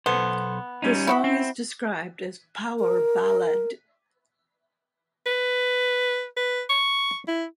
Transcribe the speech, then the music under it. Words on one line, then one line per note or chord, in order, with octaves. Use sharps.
The song is described as "power ballad".
B1 B3 A4 C5
G3 C#4 D#4
E4 F#4 B5
C4
A#4
B4
B4
C#6
E4